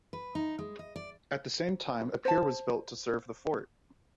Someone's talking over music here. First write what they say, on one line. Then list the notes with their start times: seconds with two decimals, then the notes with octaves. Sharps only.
At the same time a pier was built to serve the fort.
0.13 B4
0.35 D#4
0.59 G#3
0.79 D#5
0.96 D5
2.25 C5 A5